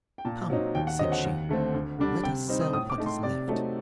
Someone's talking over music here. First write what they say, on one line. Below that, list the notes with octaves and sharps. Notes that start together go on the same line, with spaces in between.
"Come!" said she, "let us sell what is left."
G5
A#2 A5
F#3 C4 D#4
D#2 G5
F#5
D3 F#3 C4 D#5
F#5
D#2
D3 A3 C4
D2
D3 G3 D4
C3 G5
G3 C4 D#4
D#6
A2 D#6
D6
A3 D#4
C6
C3 D5
F#3 A3 C4 D#4